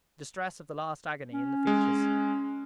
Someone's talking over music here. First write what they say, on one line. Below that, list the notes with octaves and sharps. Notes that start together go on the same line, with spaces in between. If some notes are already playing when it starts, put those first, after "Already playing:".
The distress of the last agony in the features.
C#4
G#3